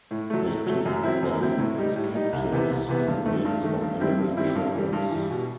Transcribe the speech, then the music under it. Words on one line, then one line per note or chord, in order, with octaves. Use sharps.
They took them as captives in raids on enemy tribes.
A2
F#3 A3
A2
F#3 A3
F#2
F#3 C4 E4
F#2
F#3 C4 E4
A2
G3 D#4
A2
G3 D#4
C2
C3 E3 B3
C2
C3 E3 B3
G2
D#3 A3
G2
D#3 A3
G2
D#3 G3 C4 E4
G2
D#3 G3 C4 E4
G2
E3 G3
G2
E3 G3
B2